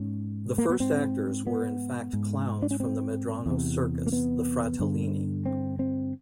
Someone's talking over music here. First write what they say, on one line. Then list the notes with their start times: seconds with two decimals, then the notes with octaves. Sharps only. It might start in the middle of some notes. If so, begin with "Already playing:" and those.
The first actors were in fact clowns from the Medrano circus, the Fratellini.
Already playing: G#2 C#4
0.58 A#3
0.70 B3
0.80 G#2 C4
1.47 B3
2.13 G#2
2.62 D4
2.71 C#4
2.80 C4
3.46 E2 C3
4.07 A#3
4.12 B3
4.80 G2 D3
5.46 C4
5.79 C4